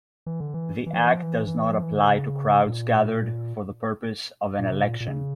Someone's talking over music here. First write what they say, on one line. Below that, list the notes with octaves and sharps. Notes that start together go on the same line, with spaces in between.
The act does not apply to crowds gathered for the purpose of an election.
E3
D3
E3
E3
F3
E3
F3
E3
E3
F3
E3
D3
C#3
A#2
A#2
C#3
A#2
A#2
C#3